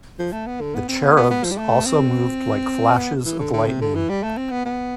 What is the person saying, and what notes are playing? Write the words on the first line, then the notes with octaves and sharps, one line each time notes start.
The cherubs also moved like flashes of lightning.
F3
A3
B3
D3
B3
C4
B3
B3
B3
F3
G3
A3
C4
B3
E3
D3
D3
C3
D3
E3
G3
A3
C4
B3
B3